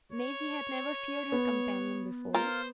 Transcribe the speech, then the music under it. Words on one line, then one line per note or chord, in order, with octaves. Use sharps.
Maisie had never feared her companion before.
C#5
B3
F4 A#4 C5